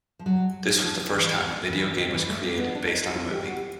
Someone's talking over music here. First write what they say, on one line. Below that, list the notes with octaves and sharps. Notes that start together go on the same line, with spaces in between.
This was the first time a video game was created based on a movie.
F3
F#3
F3
E3
E3
D#3
E3
A3
A#3
B3
D4
D#4
E4
G4
F#4